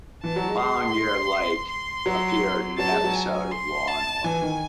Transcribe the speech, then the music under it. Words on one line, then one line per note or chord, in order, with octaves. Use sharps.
The following year, Leick appeared in an episode of "Law and Order".
E3 A5
F#3
G#3
G#3 C6
C6
F#3
F#3 A5
G#3
F#3
G#5
C6
A5
E3 G#5
D#3